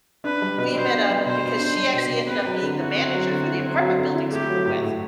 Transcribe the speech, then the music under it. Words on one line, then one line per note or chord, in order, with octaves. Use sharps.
we met up because she actually ended up being the manager for the apartment buildings we were with.
D4 B4
G3
B2
B2 C5
D4
G3
B2 C5
B2
D4
G3
B2
B2
C4 B4
F#3
D3
E4 F#4
C4
F#3
D3
E4
C4
F#3
D3
E4
A3 G4
F#3
A2
A2